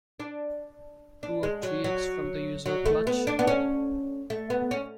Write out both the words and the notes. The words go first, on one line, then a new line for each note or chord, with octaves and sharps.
Two or three eggs form the usual clutch.
D4
D4
G#3
F#3
F#3
F#3
A3
B3
D4
B3
C#4
A3
B3
C#4